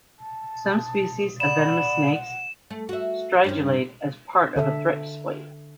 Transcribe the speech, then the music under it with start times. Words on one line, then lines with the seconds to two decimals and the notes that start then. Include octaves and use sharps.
Some species of venomous snakes stridulate as part of a threat display.
0.19 A5
1.40 D5 F#5 B5 E7
2.70 A3
2.89 F#4 E5
3.44 G2 C#4 C5
4.56 D3 A4 E5